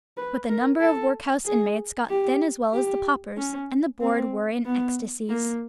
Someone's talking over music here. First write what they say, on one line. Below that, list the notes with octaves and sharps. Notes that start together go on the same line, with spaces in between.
But the number of workhouse inmates got thin as well as the paupers; and the board were in ecstasies.
B4
A#4
A4
G#4
G4
G4
C#4
C4
B3
A#3